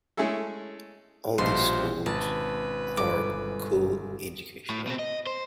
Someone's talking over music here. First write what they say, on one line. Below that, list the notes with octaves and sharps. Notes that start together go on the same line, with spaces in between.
All these schools are coeducational.
G#3 A3 C#4 E4 G#4 A4
A#1 B2 F3 G3 C#4 D#5 C6
G#1 B4 A5
G1 D6
A2
B2 C4
D#5
C5